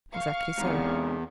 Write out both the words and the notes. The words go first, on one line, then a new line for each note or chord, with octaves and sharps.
"Exactly so."
F5 C#6 F6
E2 G#2 C3